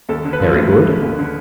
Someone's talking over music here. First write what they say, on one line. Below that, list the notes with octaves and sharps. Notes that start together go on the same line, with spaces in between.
Very good.
D#2 A4
D3
B4
F3
A3
D#2
D3
D#2
D3